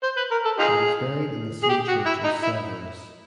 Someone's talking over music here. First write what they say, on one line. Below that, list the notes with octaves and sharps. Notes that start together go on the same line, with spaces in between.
He was buried in the same church as Severus.
C5
B4
A#4
A4
D#4 F4 G#4
G#4
G4
F#4
E4
D#4
E4